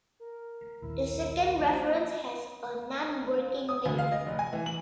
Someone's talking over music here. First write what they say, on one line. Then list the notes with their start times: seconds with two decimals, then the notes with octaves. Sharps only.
The second reference has a nonworking link.
0.20 A#4
0.82 A#1 D#2 E4
1.59 F3 A#3 C#4 D4
3.69 D#6
3.86 D2
3.98 F5
4.12 D#5
4.26 F1
4.39 G#5
4.53 E3
4.66 F#7